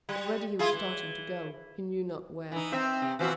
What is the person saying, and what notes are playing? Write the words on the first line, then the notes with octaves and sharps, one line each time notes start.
Already he was starting to go, he knew not where.
G3
E4 F4 G#4
E3
E3 D#4
C4 D#4 E5
C3
B2 E3 F3 C4 F#4 C5